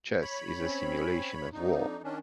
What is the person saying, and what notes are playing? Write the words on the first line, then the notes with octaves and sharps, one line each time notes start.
Chess is a simulation of war.
C#5 B5
C4 C#4
F2 D4 D#4
D#3 C#4 D4